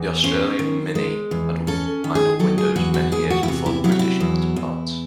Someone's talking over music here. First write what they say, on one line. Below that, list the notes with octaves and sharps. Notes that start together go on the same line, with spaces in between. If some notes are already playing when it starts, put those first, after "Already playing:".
The Australian Mini had wind up windows many years before their British counterparts.
Already playing: E2
C#4 C5
D#3
G#3
E2
C#4 A4
D#3
G#4
F#3 A4
G#4
E2 F#4
F#4
E2 G#4
F#4
E4
C3 F#4
E4
F#3 E4
F#4
E4
E2
E2